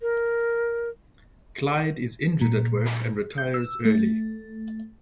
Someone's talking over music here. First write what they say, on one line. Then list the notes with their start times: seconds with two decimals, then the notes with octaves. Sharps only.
Clyde is injured at work and retires early.
0.01 A#4
2.41 A#2
3.38 G6
3.54 E6
3.85 A3